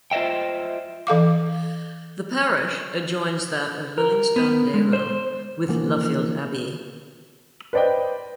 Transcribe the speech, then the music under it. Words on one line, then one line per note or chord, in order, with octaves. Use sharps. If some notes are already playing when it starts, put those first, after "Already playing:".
The parish adjoins that of Lillingstone Dayrell with Luffield Abbey.
F4 C5 D#5 E5 G5
E3 A4 F5 D6
A#4
B3
G#3
C5
D3 E3 F3 A#3
B4 C5 D5 D#5 G5